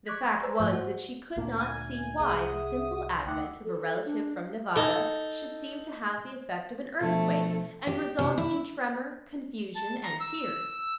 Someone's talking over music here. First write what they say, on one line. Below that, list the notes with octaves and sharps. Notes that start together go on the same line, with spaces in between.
The fact was, that she could not see why the simple advent of a relative from Nevada should seem to have the effect of an earthquake, and result in tremor, confusion, and tears.
C#6 D6 F#6 G#6 B6
B4 C5 D5 G#5 A#5 E6
G#2 F3 G3 A3 G6
F#4 C5
D2 A#2 A#3 D4
G#5
C2 G#4 E5 F#5 D#6
D2 D#4 F#5 G5 D6 E6
A4
D4
D#4 A4
B2 F3 A3 D4
G4
C3
E4
A5
A#5
E6